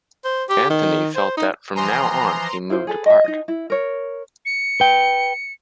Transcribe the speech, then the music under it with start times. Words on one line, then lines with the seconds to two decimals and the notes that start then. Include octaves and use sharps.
Anthony felt that from now on he moved apart.
0.25 C5
0.50 G4
0.70 D#3
1.16 C5
1.37 D#4
1.76 E3 F3 G#5 A#5 C6
2.70 E4 F4 C5
2.87 G#4 A4 B4
3.06 D#5 E5
3.24 D#4 D#5
3.48 E4
3.70 A#4 C#5
4.46 C#7
4.80 B4 G5